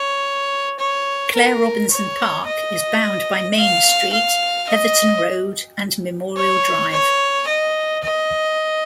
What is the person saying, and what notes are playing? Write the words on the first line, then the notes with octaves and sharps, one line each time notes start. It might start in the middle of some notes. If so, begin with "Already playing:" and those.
Claire Robinson park is bound by Main street, Heatherton Road and Memorial Drive.
Already playing: C#5
C#5
A#4
C#5
D#5
F5
F5
D#5
C#5
C#5
D#5
D#5